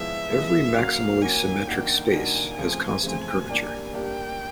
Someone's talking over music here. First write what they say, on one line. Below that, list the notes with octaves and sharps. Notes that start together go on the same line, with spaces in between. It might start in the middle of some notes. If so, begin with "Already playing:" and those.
Every maximally symmetric space has constant curvature.
Already playing: F3 G#3 B3 E4 E5
F3 G#3 B3 E4
F#3 A#3 C#4 F#4 F5
F#3 A#3 C#4 F#4 G#5
D3 F#3 A#3 D#4 F#4 G5
D3 F#3 A#3 D#4 F#4 G#5
C#3 F3 A3 C4
C#3 F3 A3 C4
G3 A#3 D4 G4
G3 A#3 D4 G4 G5